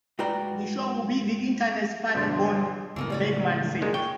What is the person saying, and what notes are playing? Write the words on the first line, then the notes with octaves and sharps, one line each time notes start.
"The show will be the Internet's funny bone," Bergman said.
G#2 F#4 B4 D5 G5 A#5
G1 B2 D4 C6
F#1 C#2 A2 E3 B3 A#4
G3 C#5 D5
A#2 G#3
C#5 G5